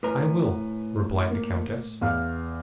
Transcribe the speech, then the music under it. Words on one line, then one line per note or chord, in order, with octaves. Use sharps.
"I will," replied the countess.
A2 A#4 B4 G#5
A#3
E2 F5 F6